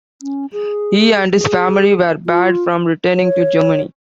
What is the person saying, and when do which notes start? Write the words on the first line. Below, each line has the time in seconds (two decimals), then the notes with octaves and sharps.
He and his family were barred from returning to Germany.
0.22 C#4
0.53 G#4
1.35 G#4
2.26 F4
3.15 C#5